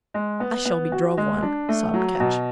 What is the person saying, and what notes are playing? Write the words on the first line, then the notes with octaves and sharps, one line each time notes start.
"I shall be drove one," sobbed Ketch.
G#3
B3
B3
F#4
G#3
D4
A3
F#3
B2